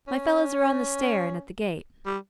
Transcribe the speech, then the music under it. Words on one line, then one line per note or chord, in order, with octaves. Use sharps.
'My fellows are on the stair and at the gate.
C#4
G3